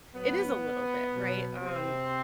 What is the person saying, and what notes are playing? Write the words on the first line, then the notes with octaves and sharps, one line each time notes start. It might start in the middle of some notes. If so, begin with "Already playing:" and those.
it is a little bit, right? Um,
A2 F#3 B3
B2 F#3
C3 C4